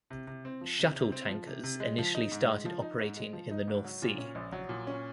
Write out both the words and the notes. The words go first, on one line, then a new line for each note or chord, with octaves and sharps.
Shuttle tankers initially started operating in the North Sea.
C3
C3
C4
F3
C3
C3
C4
F3
C3
C3
G#3
F3
D#4
G#2
G#3
F3
D#4
G#2
G#3
F3
D#4
G#2
F#3
A#2
C#4
A#1
F#3
A#2
C#4